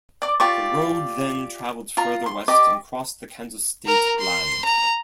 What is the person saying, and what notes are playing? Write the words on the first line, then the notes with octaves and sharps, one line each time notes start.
The road then traveled further west and crossed the Kansas state line.
D5 D6
F4 G4 D5 C#6
F4 A#5
C6
G4 D5 D#5 D6
A#4 A#5
C6
A#5